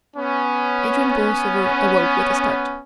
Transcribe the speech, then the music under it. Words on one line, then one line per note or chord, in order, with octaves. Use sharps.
Adrian Borlsover awoke with a start.
B3 C#4